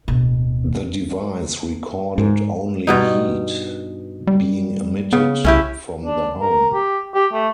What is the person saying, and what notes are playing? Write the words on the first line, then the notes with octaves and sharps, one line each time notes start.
The device recorded only heat being emitted from the home.
D1 B2
G#2
G2 B2 D#4
G3
C#3 B3
C2 C#4 E4 G4
D4
A#4
G4
G4
A3